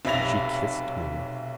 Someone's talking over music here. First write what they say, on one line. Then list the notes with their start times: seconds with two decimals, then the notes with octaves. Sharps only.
She kissed me.
0.05 F1 B1 E5 B5 A#6 F7